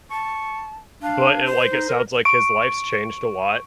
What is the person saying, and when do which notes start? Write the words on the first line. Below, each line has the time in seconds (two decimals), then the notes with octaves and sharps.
but it like, it sounds like his life's changed a lot.
0.11 A5 C#6
1.03 D4 F5
1.45 C5
1.71 D#4
1.89 A#4
2.25 C#6 D7